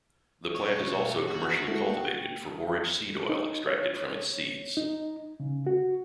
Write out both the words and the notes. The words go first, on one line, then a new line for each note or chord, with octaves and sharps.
The plant is also commercially cultivated for borage seed oil extracted from its seeds.
B1 C#5
F#6
F#4
G#3 E4 A4
A#3 G5 C#7
D#4
C#5
D#4
C#3
F#4